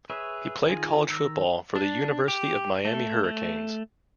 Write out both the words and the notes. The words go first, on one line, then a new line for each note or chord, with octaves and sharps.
He played college football for the University of Miami Hurricanes.
G#4 B4 C#5 E5
D#3 F4 G#4 G#5
D#3 A#5 E6
D4
G4
A3
A3